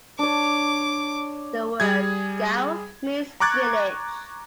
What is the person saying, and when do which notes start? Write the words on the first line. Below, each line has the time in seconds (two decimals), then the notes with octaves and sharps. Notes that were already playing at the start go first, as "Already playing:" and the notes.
The word "gao" means 'village'.
0.19 D4 C#5 D6
1.80 G3 G#4 G#6
3.40 A#5 C#6 D6 F#6 G#6 A6